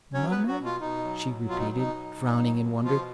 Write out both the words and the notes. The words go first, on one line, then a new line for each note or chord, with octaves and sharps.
"Munner?" she repeated, frowning in wonder.
F#3 C#4 C#5
B3 B4
F#3
F#3 F#4
B2
F4
B2 D#4
F#3
F#3
B2 F4
D#4
B2 D#4
F#3
F#3
B2
B2
F3 F4